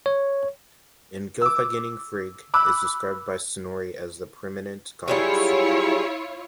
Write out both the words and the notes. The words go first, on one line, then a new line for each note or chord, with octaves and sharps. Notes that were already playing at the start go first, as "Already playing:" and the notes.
In "Gylfaginning" Frigg is described by Snorri as the preeminent goddess.
C#5
D6 E6
B5 D6 E6 F#6
F#3 G3 E4 F4 G#4 C#5